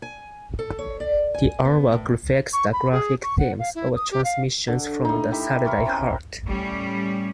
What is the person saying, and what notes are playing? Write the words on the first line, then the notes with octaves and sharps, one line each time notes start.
The artwork reflects the graphic themes of "Transmissions from the Satellite Heart".
G#5
A4
C#5
D5
G#5
B3
A2
C#6
B5
G#4
C#6
F#5
F5
E4
D#6
G4
F5
D3
A2 D#4
E4 G4 A#4 E5
E4 A#4 C#5 D6
C4 C#4 A#4 C5
A2 G3 C#4